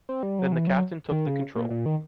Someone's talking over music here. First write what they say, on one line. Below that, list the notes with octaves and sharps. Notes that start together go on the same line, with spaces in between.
Then the captain took the control.
C4
G3
F#3
E3
F#3
D#3
C#3
A#2
A#2
D#3